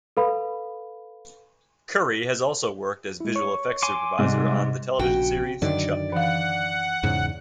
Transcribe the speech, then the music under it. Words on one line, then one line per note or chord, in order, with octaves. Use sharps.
Curry has also worked as visual effects supervisor on the television series "Chuck".
A4 B4 F5 B5
G#3 E4
C#5 C#6
G#5 C6 D6
G#2 C3 G3
A#1 C#3 F#4 G5
F#2 D3 D#3 D5
E3 F5 F#5
E2 G#2 C#3